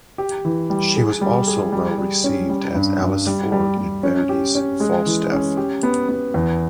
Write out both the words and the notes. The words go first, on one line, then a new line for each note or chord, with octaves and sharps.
She was also well received as Alice Ford in Verdi's "Falstaff".
G4
E3
G3
G#4
G3
G#4
G3
G3
C#4
G3
G2
G2
G3
G3
G3
C#4
G4
C#4
G#3
E3
C#4
G4
B3
B3
E2